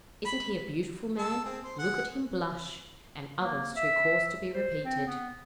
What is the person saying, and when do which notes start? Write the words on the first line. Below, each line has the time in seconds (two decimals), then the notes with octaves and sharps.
"Isn't he a beautiful man?" "Look at him blush;" and others too coarse to be repeated.
0.25 B5
1.18 A5 E6
1.44 C4 G#4
1.64 C5
1.79 G#4 F#5
3.40 A#3
3.76 E5
4.54 C5
4.84 C4
5.06 B3